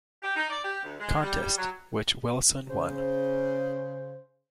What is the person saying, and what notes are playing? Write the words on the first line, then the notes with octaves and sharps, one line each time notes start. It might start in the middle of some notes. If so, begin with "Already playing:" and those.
Contest, which Wilson won.
G4
D#4
D5
G4
D2
G#3
G3
G3
F#3
C#3 C5